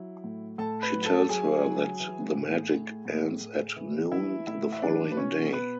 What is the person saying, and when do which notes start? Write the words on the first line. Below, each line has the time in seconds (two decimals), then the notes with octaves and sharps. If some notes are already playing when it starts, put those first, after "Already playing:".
She tells her that the magic ends at noon the following day.
Already playing: F#3 E4
0.24 A2
0.58 A2 A4 A5
0.82 B4 B5
0.94 F#3
1.06 A4 A5
1.29 F#3 G#4 G#5
1.65 F#3
2.00 E3
2.35 A2
2.71 A2
3.05 A2
3.41 A2
3.76 E3
4.11 E3 E4 E5
4.47 A2 E4 E5
4.72 E5
4.82 F#3 D4 D5
5.12 B4
5.17 B2 C#4 C#5
5.53 B2 B3 B4